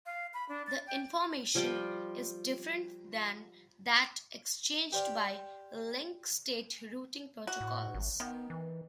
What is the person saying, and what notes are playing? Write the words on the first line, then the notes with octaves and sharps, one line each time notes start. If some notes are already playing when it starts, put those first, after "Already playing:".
The information is different than that exchanged by link-state routing protocols.
F5
B5
D4
A6
G5
F3 G3 F4 G5
G4 C5 D5 F5
F#4
A2
G#1
D#3 B3
E3